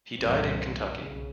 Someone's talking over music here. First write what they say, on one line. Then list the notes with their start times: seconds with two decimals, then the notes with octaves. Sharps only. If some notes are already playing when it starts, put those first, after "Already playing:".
He died in Kentucky.
0.17 G1 C2 A#2 E3 C4
0.95 B1 C#3